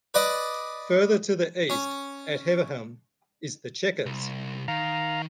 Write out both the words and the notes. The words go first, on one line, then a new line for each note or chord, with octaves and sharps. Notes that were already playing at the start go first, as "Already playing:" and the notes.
Further to the east at Heaverham is the Chequers.
B4 D5 D#5
C#4
C2
D#3 F5 A#5